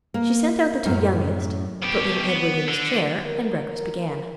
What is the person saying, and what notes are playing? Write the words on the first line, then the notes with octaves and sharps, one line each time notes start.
She sent out the two youngest, put little Edward in his chair, and breakfast began.
A#3
F#2 A2
B2 G4
B3
D3
A#4